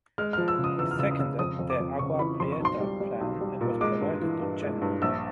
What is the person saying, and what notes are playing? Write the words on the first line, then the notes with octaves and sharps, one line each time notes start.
He seconded the Agua Prieta Plan and was promoted to General.
G#3 F6
F3 F6
E6
C#3
D#6
E2 E6
F6
C#3 E6
D#6
C#3 E6
F2 D#6
F2
D6
F2
C#3 C#6
E3 B5
F2 C6
C#6
B1 C6
G3
G3
B1
G3
A#2
G#3 D6
G2
E3
G2
G#3
G2
A#1 E6